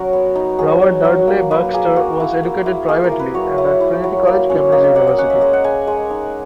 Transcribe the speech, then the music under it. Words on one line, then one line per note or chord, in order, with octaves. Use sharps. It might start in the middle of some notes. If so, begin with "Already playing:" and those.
Robert Dudley Baxter was educated privately and at Trinity College, Cambridge University.
Already playing: F#3 C#4 A#4 C#5 F#5
B3
D#4
F#3 G#4
F#3
F#3
A#3
A#3 B4
A#3 G#4
A#3 F#4
E4
A#3
E4
A#3 G#4
A#4
E4
B4
F#3 C#5
E4
E4
F#3
A#3
C#4
A#3 D#5
E5
A#3 F#5
D#5
C#4 F#5
E5
G#3 D#5
F#5
G#3 G#5
G#3
D#4